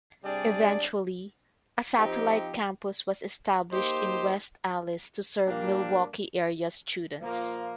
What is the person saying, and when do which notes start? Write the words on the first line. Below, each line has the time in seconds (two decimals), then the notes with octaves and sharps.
Eventually a satellite campus was established in West Allis to serve Milwaukee area students.
0.24 C3 G3 D4 G#4 D5
1.97 F3 C4 D#4 G4
3.72 A#3 D#4 G4 C5
5.46 A#2 G3 A#3 D4
7.20 A#2 F3 A#3 F4